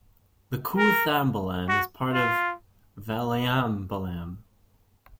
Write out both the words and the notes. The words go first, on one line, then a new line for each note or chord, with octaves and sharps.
The koothambalam is part of Valiambalam.
A#4
F#4
F4